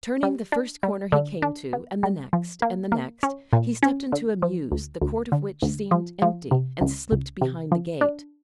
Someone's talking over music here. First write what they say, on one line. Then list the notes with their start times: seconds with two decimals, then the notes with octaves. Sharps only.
Turning the first corner he came to, and the next and the next, he stepped into a mews, the court of which seemed empty, and slipped behind the gate.
0.23 G3
0.52 D4
0.83 G3
1.12 D3
1.42 D4
1.73 B3
2.03 G3
2.33 F3
2.62 A#3
2.92 A#3
3.23 C#4
3.53 A#2
3.83 C#4
4.12 D3
4.42 F3
4.72 D2
5.02 D2
5.32 D3
5.62 D2
5.91 F3
6.22 F3
6.51 C3
6.81 C#2
7.12 C#2
7.41 C3
7.72 F3
8.01 D4